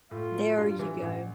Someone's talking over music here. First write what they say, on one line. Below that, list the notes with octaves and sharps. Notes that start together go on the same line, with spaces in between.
There you go.
A2 F4
F#3
G2
E3
A1